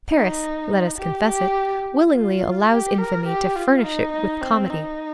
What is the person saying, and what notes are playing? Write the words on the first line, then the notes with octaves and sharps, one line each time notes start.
Paris,--let us confess it--willingly allows infamy to furnish it with comedy.
D#4
G4
G4
F4
G4
A#4
G4
F4
D#4
D#4
C4
D#4